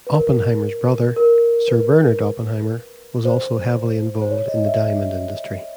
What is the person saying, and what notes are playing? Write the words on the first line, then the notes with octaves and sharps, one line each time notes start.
Oppenheimer's brother, Sir Bernard Oppenheimer, was also heavily involved in the diamond industry.
B4
A#4
A#4
B4
C5
C5
C#5
D#5
E5